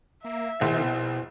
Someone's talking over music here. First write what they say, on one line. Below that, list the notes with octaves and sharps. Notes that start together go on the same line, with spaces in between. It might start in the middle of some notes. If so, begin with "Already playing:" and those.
And I
A#3 E5
A#1 B2 E4 C5 G#5